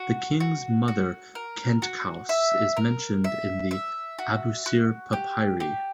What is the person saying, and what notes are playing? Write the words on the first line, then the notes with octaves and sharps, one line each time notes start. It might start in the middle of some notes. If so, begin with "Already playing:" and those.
The king's mother Khentkaus is mentioned in the "Abusir Papyri".
Already playing: F#4
F#4
F#4
A#4
F#4
E5
A#4
E5
E5
F#4
F#4
G4
G4